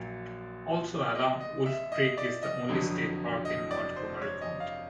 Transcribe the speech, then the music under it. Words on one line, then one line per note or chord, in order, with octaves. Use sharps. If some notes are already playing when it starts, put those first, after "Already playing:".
Also along Wolf Creek is the only state park in Montgomery County.
Already playing: A#1 A#2 F#3
D#5
D#5
E5
D#5
D5
D#5
F1 F2 D3 F#3
D#5
D5
C5
C#5
D#5
F5